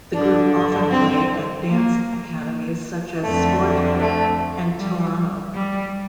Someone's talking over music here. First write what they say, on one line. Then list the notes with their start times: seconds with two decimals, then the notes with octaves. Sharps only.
The group often played at dance academies such as Sport Antillano.
0.13 G2 D3 D4
0.91 C4
1.68 A#3
3.23 F2 D3 A3
4.00 A3
4.77 G3
5.55 G3